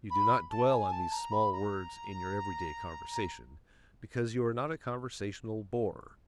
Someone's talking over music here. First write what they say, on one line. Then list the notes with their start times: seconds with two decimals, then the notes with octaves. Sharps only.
You do not dwell on these small words in your everyday conversation, because you are not a conversational bore.
0.11 B5
0.51 A5
0.71 G#5
0.92 A5
1.12 A#5
1.32 B5
1.52 A#5
3.14 A#5